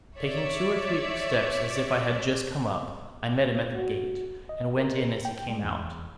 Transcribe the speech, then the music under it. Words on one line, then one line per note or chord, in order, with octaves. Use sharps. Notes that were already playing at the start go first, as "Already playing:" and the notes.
Taking two or three quick steps, as if I had just come up, I met him at the gate, and went in as he came out.
C#5 D5 E5
F#4
D#5
A#4
G5
G#3
E2